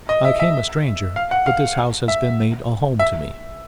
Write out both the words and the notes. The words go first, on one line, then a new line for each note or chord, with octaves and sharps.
"I came a stranger, but this house has been made a home to me."
D#5
E5
E5
F5
F#5
F5
E5
E5